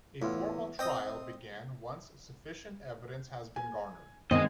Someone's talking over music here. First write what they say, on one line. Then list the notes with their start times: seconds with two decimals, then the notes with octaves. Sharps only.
A formal trial began once sufficient evidence had been garnered.
0.22 E2 A2 F4
0.79 C4 D#5 G5 D#6
3.56 G#5
4.31 G1 D#3 G#3 B3 C4 D#5